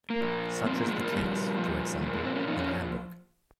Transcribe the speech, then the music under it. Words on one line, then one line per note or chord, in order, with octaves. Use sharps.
Such is the case, for example, in Hamburg.
A#3
A#2 F3
A#2 F3 C4
A#3
G#3
A#3
A#2 F3 G3
A#2 F3
A#2 F3
G#3
C4
C#4
A#2 F3 D#4
C#4